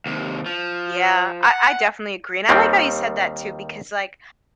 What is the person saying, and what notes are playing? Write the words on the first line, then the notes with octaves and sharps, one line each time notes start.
Yeah, I I definitely agree, and I like how you said that too, because, like,
D#2 C3
F3
F#5
D#2 D#3 G3 C4